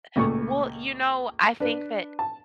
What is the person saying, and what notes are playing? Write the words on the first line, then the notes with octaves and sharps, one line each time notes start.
Eh Well, you know, I think that
C#2 A#2 A3 C#6
D4 B4
A5